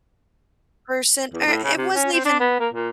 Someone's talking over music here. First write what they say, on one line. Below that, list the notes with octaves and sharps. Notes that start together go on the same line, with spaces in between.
person, or it wasn't even
E2
A2
C#3
C3
C#4
C4
D4
B3
A#3
A#2